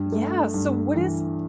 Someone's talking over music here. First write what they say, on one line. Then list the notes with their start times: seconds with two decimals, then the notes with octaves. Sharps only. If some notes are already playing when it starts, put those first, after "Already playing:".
yeah, so what is
Already playing: G2
0.12 A3
0.54 G2
0.96 E3